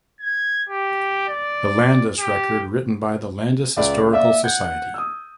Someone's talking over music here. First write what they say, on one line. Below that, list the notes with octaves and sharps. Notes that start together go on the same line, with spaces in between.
The Landis Record written by the Landis Historical Society.
G#6
G4
D5
G4
C#2 D5 E5
A#3 D5 E5 F5
F#5 G6 G#6
D#6 E6